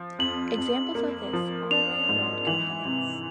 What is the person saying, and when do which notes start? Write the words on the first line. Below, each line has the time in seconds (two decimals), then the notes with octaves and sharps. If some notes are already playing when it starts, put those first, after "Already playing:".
Examples of this are railroad companies.
Already playing: F3
0.19 F2 F#7
0.58 F2
0.95 A#3
1.33 F3
1.71 D4 F7
2.09 G#2
2.47 E3 F#7
2.85 C3